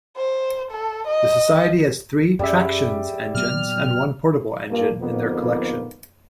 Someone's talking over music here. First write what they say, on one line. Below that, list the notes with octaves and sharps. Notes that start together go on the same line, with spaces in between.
The society has three tractions engines and one portable engine in their collection.
C5
A4
D#5
F#2 G3 C#4 G4 G#4 E5
A#2 F#3 B3 F6
G2 A#2 A#3
F2 G#2 D3 A#3 B3